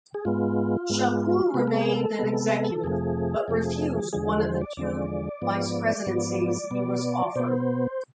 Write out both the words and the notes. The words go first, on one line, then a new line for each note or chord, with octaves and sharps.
Chaput remained an executive, but refused one of the two vice-presidencies he was offered.
G#4
G#2 G#3 B3 F4
G#2 G#3 B3
C3 G#3 B3 B4
A4
G#4
A4
C3 G#3 B3
F2 C3 F3 A3 G#4
F2 C3 F3 A3
E2 D3 F3 G#3 G#4
A4
C5
D5
E2 D3 F3 G#3 D5
G#2 F3 B3
G#2 F3 B3
B2 B3
B2 B3 C5